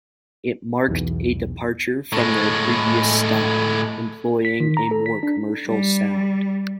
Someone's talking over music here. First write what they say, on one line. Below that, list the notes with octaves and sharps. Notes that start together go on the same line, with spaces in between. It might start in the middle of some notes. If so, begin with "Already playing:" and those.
It marked a departure from their previous style, employing a more commercial sound.
B1 E2
A2 G#3
B6
D#3
A#5
A4
B6
D4
G3